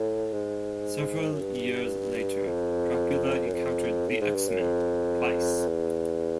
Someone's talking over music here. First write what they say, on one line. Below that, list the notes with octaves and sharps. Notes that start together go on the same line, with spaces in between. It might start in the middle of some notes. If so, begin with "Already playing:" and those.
Several years later, Dracula encountered the X-Men twice.
Already playing: A2
G#2
F#2
G2
F2
F#2
F2
A2
G#2
G2
F#2
F2
E2